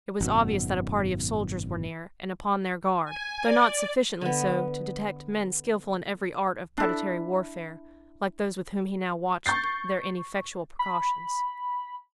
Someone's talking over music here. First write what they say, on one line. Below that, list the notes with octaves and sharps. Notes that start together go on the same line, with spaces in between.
It was obvious that a party of soldiers were near, and upon their guard, though not sufficiently so to detect men skilful in every art of predatory warfare, like those with whom he now watched their ineffectual precautions.
G#1 F#2 B2
G#5
D5
D3 B3
D4 E4 A4
C#6 G6 A6 C7
B5